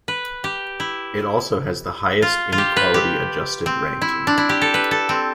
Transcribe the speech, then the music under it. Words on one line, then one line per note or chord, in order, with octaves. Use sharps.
It also has the highest inequality-adjusted ranking.
B4
G4
E4
F4
F4
G4
B4
G4
C4
E4
D4
E4
G4
A4
B4
A4
C4